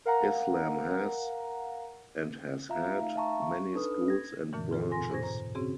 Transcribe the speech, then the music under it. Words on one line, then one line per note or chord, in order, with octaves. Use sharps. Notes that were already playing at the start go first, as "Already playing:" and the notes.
Islam has, and has had, many schools and branches.
A#4 F5 F#5 A#5
F4 E5 F5 A#5
A3 D#4 F5
E5 F5 A5 A#5 C#6
C#6
D4 D#4 A4 B4 D#6
G#6 A#6
F#2 A#2 D3 E3
C4 F4 G#4 A4
D#2 B2 G#5 C6 A#6
G#2 B2 C5 C#6 G#6 A#6
C5 A#5
C#3 C4 C#4 F#4 G#4